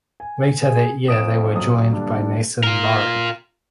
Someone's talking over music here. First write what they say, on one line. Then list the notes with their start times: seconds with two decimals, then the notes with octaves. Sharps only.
Later that year they were joined by Nason Lawrie.
0.20 G#5
0.62 G#4
1.08 F2 D#6 D7 E7
1.55 D1 F#2 D#6
1.93 G2 A#2 D3 D4
2.63 F4 A#4